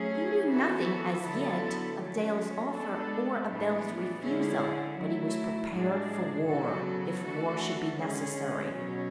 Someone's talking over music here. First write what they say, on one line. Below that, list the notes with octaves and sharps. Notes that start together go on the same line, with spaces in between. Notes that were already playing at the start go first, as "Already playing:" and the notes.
He knew nothing as yet of Dale's offer, or of Bell's refusal, but he was prepared for war, if war should be necessary.
Already playing: F#3 A3 C#4 G#4
E3 B3 F#4 A4
D3 F#3 B3 E4 A4
F#3 A3 C#4
G#3 B3 D4 A4
A2 E3 B3 D4
D3 G#3 C#4 E4 G#4
F#3 A3 E4
A2 G#3 D4 G#4
C#3 F#3 B3 F#4 A4
E3 A3 D4 F#4 A4
D3 G#3 C#4 G#4
B2 F#3 C#4